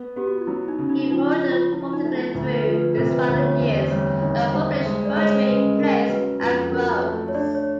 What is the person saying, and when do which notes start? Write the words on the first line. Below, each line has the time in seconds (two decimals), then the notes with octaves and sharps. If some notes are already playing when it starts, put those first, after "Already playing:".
He wrote prolifically through his final years, and published poetry, plays, and prose.
Already playing: B3
0.16 B3 G4
0.27 F#4
0.38 F4
0.47 F#3 E4
0.68 D#4
0.79 C#3
0.89 D#4
1.10 F3 D#4
1.31 E4
1.41 C#4
1.52 F4
1.73 F3 E4
1.93 D#4
2.04 A3
2.15 E4
2.35 D2
2.56 B4
2.66 F3
2.77 B4
2.97 C3 C5
3.11 B4
3.18 C5
3.29 D2
3.38 C#5
3.60 E2 C5
3.91 G3 C#5
4.22 D#3 C#5
4.53 G3 C5
4.85 G#3
5.05 D5
5.16 G#3 C#5
5.33 C5
5.47 C#3 B4
5.78 C#3 A#4
6.09 F#3 B4
6.41 F2 B4
6.72 F#3 A#4
6.93 B4
7.03 A3
7.28 C#5
7.34 D4 D5
7.55 C#5